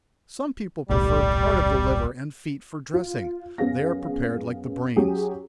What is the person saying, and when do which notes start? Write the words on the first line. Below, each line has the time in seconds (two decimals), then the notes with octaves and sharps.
Some people prefer part of the liver and feet for dressing--they are prepared like the brains.
0.89 D#1 B1 A2 G3
2.94 F4
3.58 F#2 B3 C#4 G#4 F5 A#6
4.96 F#3 C#4 G4 G#4